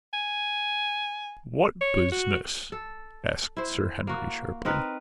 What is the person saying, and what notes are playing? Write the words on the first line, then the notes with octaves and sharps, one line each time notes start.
"What business?" asked Sir Henry sharply.
G#5
C#5
F#4
A4
E4 C5
A#3 F#4
C4 D#4 A#4 B4